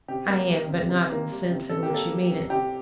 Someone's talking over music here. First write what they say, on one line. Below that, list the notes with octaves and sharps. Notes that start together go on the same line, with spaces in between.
I am--but not in the sense in which you mean it.
C3 G4
A#3
G3
C3
C3
A#3
G3
C3
C3 A4
G4
A#3 A4
G3
C3
C3 G4